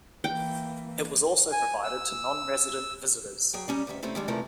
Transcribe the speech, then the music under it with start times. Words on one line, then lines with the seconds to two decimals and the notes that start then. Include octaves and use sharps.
It was also provided to non-resident visitors.
0.24 E3 A#3 G5
1.52 G#5
1.84 E6
3.53 F#3 G#4 G5
3.68 G3 C#4 D#4
3.87 D2 G2 D#3 E5
4.03 C3 A3 C4 C#4 D#4 E4
4.15 D#3 G3 G#3 D4
4.28 C3 E3 F3 A3 A#4